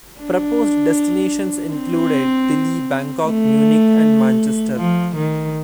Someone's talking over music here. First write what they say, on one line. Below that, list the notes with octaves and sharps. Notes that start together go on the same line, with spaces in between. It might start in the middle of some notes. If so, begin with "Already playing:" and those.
Proposed destinations included Delhi, Bangkok, Munich and Manchester.
D4
C4
A3
F3
D#3